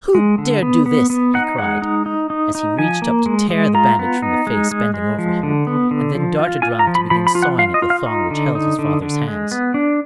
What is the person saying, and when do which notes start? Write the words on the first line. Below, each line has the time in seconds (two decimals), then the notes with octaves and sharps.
"Who dared do this?" he cried, as he reached up to tear the bandage from the face bending over him, and then darted round to begin sawing at the thong which held his father's hands.
0.15 G#3
0.38 D3
0.62 B3
0.86 B3
1.10 B3
1.34 D#4 F#5
1.58 G#3 F#5
1.82 D#4
2.06 D#4
2.30 D#4
2.55 D#4
2.78 F3 G#5
3.02 A#3
3.26 G#3
3.50 G#3
3.74 F4 A#5
3.99 B3
4.22 D#4
4.47 G#3
4.71 G#3
4.94 G#3
5.19 F3
5.43 D3
5.67 B3
5.91 D3
6.15 F3
6.39 F4
6.62 F4 G#5
6.79 A#5
6.87 F3
6.95 B5
7.10 F3 B5
7.27 B5
7.35 F4
7.42 F#5
7.58 F4 F5
7.74 D#5
7.82 F4
7.90 F5
8.06 D#4
8.31 D3
8.55 D#4
8.79 D3
9.02 D3
9.28 G#3
9.52 B3
9.74 D4